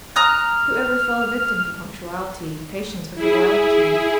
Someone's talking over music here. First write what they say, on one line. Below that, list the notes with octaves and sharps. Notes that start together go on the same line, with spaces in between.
Who ever fell a victim to punctuality, patience, or frugality?
A#5 D#6 F6 F#6
E4 G#4